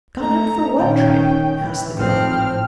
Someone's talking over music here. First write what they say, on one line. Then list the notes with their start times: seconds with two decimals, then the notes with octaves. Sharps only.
"Gone out for what tripe?" asked the girl.
0.20 A3 A#5
0.78 A#2 D#3 C#4 G5
1.61 E3
1.99 G#1 A2 F3 C4 F6